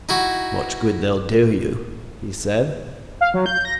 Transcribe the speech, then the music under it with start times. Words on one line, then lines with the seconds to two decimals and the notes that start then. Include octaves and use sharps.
"Much good they'll do you!" he said.
0.09 D#4 E4 F#4
3.21 F5
3.34 F#3
3.46 G6
3.65 A#6